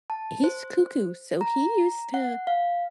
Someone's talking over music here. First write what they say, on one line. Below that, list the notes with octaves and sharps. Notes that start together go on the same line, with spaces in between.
He's cuckoo. So he used to
A5
C5
A#5
F#5
F5